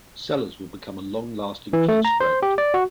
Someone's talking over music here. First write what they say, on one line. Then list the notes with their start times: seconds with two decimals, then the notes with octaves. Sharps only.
Sellers would become a long-lasting close friend.
1.73 E3
1.88 A3
2.05 A#5
2.20 C5
2.43 G4
2.58 D5
2.74 F#4